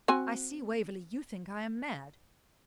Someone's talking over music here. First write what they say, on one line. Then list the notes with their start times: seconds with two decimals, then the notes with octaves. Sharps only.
I see, Waverley, you think I am mad.
0.08 C4 F#4 G#5